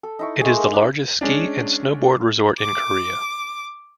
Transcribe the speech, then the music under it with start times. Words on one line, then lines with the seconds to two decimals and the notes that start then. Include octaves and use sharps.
It is the largest ski and snowboard resort in Korea.
0.03 A4
0.19 D#4 E4 C#6
0.41 G#3 A3 G#4
0.57 A#3
0.74 D4 E4
1.21 G#3 C#4 D4
2.60 D6